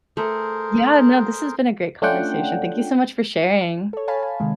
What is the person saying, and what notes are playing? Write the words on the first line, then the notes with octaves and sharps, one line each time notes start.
yeah, no, this has been a great conversation, thank you so much for sharing.
A3 G#4 A#4 C5
A3 C#4 D4 F4 F#5 G5
A4 C#5
C#5 F5 G#5 A5 B5
G#5
C3 D#3 G#3